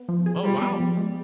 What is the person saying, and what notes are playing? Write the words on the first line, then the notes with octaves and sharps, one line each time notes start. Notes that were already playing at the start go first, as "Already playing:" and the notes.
Oh, wow.
Already playing: B3
F3
G#4
G3 F4
B3
F3
G#3